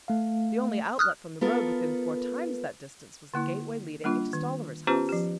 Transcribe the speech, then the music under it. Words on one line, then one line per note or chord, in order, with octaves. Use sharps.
The only outlet from the road within four times that distance was the gateway leading into Stolliver's house.
A3 F5
D#6 F6 F#6
B3 F4 A4 A#4
D3 A#3 E4
G3 A#3 D4 F4
D#3
B3 C#4 F4 G4 B4 C5
F3 G4